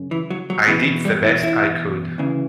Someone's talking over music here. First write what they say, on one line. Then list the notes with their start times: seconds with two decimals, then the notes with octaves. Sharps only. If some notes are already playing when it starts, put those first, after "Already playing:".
I did the best I could.
Already playing: F#2 C#3
0.11 E3
0.30 F#3
0.50 F#3
0.67 E2 B2 E3
1.05 G3
1.24 E4
1.43 E4
2.18 D2 C#3 E3